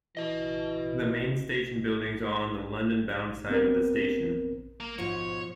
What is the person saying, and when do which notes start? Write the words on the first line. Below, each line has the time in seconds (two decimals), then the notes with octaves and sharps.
The main station buildings are on the London-bound side of the station.
0.17 E3 F#4 D#5
3.50 B3 C4 A#4
4.80 A#3
4.98 G#2 B2 F3 C#5